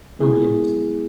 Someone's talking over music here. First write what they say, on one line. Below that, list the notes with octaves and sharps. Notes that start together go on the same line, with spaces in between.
Oh, yes.
G#3 B3 E4 G#4